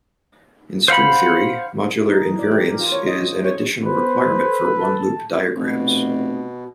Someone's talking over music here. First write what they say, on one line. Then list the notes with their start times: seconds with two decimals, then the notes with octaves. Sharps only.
In string theory, modular invariance is an additional requirement for one-loop diagrams.
0.88 C5 F5 F#5 B5
2.09 D#4
2.25 E3
2.39 D5
2.51 G4
2.67 A#4
2.79 F4
2.92 C#5
3.07 D#5
3.20 F3
3.44 C#5
3.86 B3 B4 C5
4.46 A4
4.79 A5
5.56 F1 B2